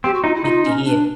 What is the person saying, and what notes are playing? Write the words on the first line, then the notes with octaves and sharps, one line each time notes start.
It did.
C4 G4
F#4
D#4 F4
E4
D#4 F4
C#4
D4